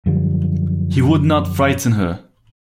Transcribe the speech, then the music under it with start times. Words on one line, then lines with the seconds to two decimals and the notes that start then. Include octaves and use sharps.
He would not frighten her.
0.06 F#2 D3 F3 G3